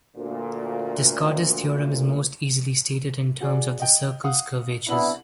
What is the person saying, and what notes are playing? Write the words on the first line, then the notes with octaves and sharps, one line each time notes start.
Descartes' theorem is most easily stated in terms of the circles' curvatures.
D2 A#2
F#4 G#4 D5
D#5 G5
F5 F#5 D#6
C2 B3 D4 E4 F#7